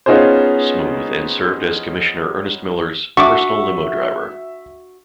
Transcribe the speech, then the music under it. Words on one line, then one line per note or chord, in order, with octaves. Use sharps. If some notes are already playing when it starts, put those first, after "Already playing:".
Smooth and served as Commissioner Ernest Miller's personal limo driver.
B3 C#4 D#4 F4 G#4 C5
D4 F#4 E5 C#6 D6